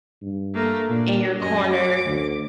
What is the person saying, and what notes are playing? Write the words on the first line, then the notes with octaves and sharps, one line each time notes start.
in your corner,
G2
A3 A#3
A#2 D4
F#2 D#5 G#5
D6
D2